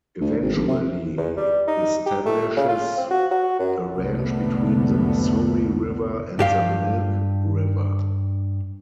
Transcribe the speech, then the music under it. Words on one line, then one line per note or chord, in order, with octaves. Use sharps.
Eventually he establishes a ranch between the Missouri River and the Milk River.
D2
G#1
A#1
C3
E2
G3
D#4
G4
A3
C#3
F4
C4
F#4
F#4
F#2
C2 F2 A2 D3 A3 B3
G2 G4 F5